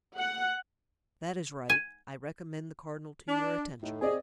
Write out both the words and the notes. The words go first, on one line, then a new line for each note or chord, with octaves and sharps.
"That is right; I recommend the cardinal to your attention."
F#5
G#5
D4
A2 D#4
C4 G#4 D5 D#5